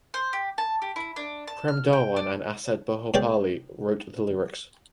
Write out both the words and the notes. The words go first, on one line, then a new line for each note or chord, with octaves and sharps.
Prem Dhawan and Asad Bhopali wrote the lyrics.
C5
G4
A5
G4
E4
D4
A5
F6
G5
D5
B2 G#3 C#5 D5 G5